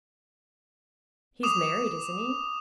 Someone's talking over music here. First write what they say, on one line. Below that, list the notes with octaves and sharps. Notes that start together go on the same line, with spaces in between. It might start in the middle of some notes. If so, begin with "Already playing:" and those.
'He's married, isn't he?
D6 D#6 E7 F7